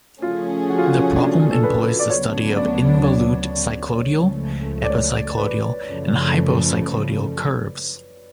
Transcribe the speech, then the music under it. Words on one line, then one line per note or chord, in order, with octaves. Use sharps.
The problem employs the study of involute cycloidal, epicycloidal and hypocycloidal curves.
C#3 F3 A3 C#4 F4 G#4
F#4
F4
F#4
D4
A4
B4
D5
D2 C#3 F#3 B3 D4 C#5
D5
C#5
C#2 C#3 F3 A3
D5
C#5
B4
F#2 C#3 F3 A3